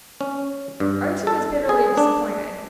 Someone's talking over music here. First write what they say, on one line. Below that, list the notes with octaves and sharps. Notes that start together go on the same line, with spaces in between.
Archie was bitterly disappointed.
C#4
G2
A4
G#4
D4